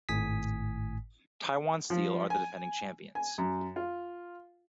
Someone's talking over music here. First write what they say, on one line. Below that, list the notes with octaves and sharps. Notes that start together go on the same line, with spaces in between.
Taiwan Steel are the defending champions.
G#1 A2 G#5 D#6 B6
F3
G#5
G#5
F#2
F4